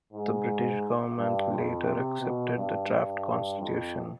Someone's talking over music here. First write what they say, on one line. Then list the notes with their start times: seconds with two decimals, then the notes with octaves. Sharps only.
The British Government later accepted the draft constitution.
0.13 G#2
1.17 G2
1.52 F2
1.86 C3
2.21 B2
2.56 G2
2.91 G2
3.60 F2